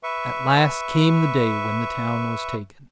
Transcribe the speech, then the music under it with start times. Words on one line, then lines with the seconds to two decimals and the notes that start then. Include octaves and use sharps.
At last came the day when the town was taken.
0.03 B4 E5 C#6